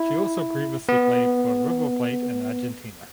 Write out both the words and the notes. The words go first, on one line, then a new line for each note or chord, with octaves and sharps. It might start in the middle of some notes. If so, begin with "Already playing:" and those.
She also previously played for River Plate in Argentina.
Already playing: E4
B3